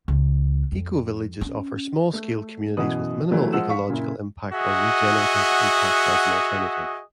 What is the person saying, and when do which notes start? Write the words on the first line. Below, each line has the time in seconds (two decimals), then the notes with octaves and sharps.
Ecovillages offer small-scale communities with minimal ecological impact or regenerative impacts as an alternative.
0.08 C#2
0.72 F2
1.41 C#4
2.13 A3
2.77 F#2 B2 E3 F#5 D#6
3.31 E3 F#3 G3 A3 A#3 D4
3.53 F3 G#3 G#4 F#5 E6 E7
3.69 F5 C#6 B6
3.88 F#2 A#2 C#3 E4
4.53 F#4 G#4 D#5 E5 F#5